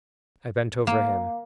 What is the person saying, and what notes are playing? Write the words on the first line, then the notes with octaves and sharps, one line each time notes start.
I bent over him.
A#3